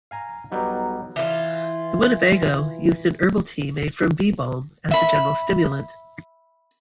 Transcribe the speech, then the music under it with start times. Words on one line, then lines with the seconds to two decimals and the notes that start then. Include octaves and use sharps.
The Winnebago used an herbal tea made from beebalm as a general stimulant.
0.11 F5 G#5 A#5
0.52 B1 F#3 G3 B3 D#4
1.16 E3 F4
4.91 E5 B5